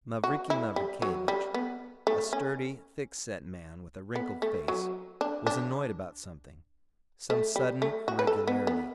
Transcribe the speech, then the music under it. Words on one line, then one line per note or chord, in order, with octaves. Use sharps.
Mavriky Mavrikyevitch, a sturdy, thick-set man with a wrinkled face, was annoyed about something, some sudden irregularity.
F#4
E4
G3
F#3
G3
B3
A3
C#4
B3
A3
F#3
D4
D4
A3
G3
A3
F#4
B4
A4
B3
B3